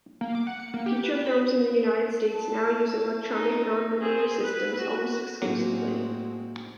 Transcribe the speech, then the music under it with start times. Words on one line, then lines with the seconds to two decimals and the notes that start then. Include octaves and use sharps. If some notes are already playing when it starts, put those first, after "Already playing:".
Feature films in the United States now use electronic non-linear systems almost exclusively.
0.21 A#3
0.35 D6
0.47 F#5
0.60 C#7
0.74 A#3
0.86 G4
1.04 B4
1.26 B5
2.30 A5
3.31 D#4
4.00 C4 G#4
4.43 B4
4.78 F#4
5.42 A2 F#3 G#3 A#3 C4 F#4